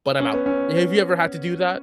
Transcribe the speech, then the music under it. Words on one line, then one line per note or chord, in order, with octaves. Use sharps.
but I'm out." Have you ever had to do that?
C#4
B3
C#4